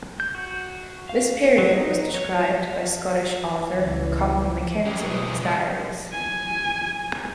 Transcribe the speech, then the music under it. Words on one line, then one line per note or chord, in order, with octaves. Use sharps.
This period was described by Scottish author Compton Mackenzie in his diaries.
G6
F#4
F5
F#3
D#4
C#5
C#2 E3
C#4 G4
B1 G#4
F#3 G#3
G#5